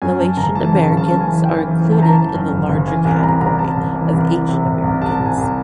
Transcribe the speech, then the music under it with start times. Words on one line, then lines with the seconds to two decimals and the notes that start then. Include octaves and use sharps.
Laotian Americans are included in the larger category of Asian Americans.
0.02 F#2 G#5
0.19 F#2 A5
0.37 F#1 A#5
0.55 E3 A5
0.73 C#3 A5
0.91 F#1
0.97 A5
1.09 C#3
1.21 G#5
1.27 E3
1.44 E3 G5
1.62 E3
1.80 E3
1.92 A5
1.98 E3 A#5
2.13 E3 A5
2.34 F#2
2.52 F#1
2.69 F#1
2.87 E3 G#5
3.05 C2 G#5
3.23 C2 A#5
3.41 C2 A#5
3.59 C2 A5
3.77 C2
3.95 E3
4.13 C2
4.30 E3
4.49 C3
4.66 C2
4.84 C2
5.02 C2 A5
5.20 C2
5.26 G#5
5.38 C2